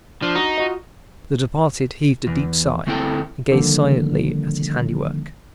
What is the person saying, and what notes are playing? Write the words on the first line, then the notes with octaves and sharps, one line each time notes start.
The departed heaved a deep sigh, and gazed silently at his handiwork.
F3 D4
D#4 F#4
F4 F#4 D#5
E2
D2 A3 C4 E4 A4 G5
D3 D#3 F3 G3 A#3